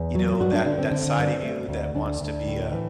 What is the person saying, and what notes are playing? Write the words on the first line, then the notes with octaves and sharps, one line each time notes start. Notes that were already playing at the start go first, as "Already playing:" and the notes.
you know, that that side of you that wants to be a
Already playing: E2
F#3
G2 F#4
D4
D3 D4
C4
D3
G2
A3
D2
D2 D4
D2
A2
E3